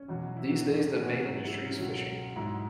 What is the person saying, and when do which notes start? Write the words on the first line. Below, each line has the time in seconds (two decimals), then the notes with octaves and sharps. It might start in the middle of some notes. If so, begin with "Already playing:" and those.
These days the main industry is fishing.
Already playing: C#4
0.08 E2 B2 F#3
0.36 E4
0.51 F#4
0.65 E2 E3
0.94 G#4
1.03 F#4
1.13 E4
1.22 G#2 F#3
1.46 E4
1.50 C#4
1.65 C#4
1.79 C#2 B2 F#3
2.36 G#2 F#3 E4